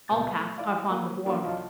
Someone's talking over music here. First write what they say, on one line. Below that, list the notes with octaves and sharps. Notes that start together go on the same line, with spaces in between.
All Cats are fond of warmth.
C#2 A#2 B3 D#5 G6 A6
A3 A4
E4 D5 F5
F#3 A#3 D#6
A#3 C#4 D4 F4 A4 D5
C2 F#3 F4 D#5 A5